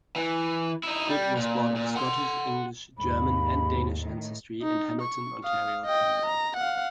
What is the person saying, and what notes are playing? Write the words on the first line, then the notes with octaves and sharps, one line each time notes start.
Frid was born of Scottish, English, German and Danish ancestry in Hamilton, Ontario, Canada.
E3
D#4 E4
G3
A#2
A#2
F#5 C6
D#2 G#2 D#3 G#3 B5
A2 D#3
D#4
C#6
F5 D#6
D#5 G5
A#5
F5 F#5